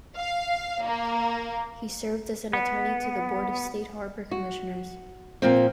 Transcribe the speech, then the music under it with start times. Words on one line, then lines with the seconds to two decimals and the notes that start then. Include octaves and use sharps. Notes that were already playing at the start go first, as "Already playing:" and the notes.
He served as an attorney to the Board of State Harbor Commissioners.
0.17 F5
0.84 A#3
2.53 B3
4.31 F#4
5.42 A#2 F3 C4